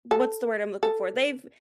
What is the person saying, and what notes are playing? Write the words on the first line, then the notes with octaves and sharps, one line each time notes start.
what's the word I'm looking for they've
A4
A4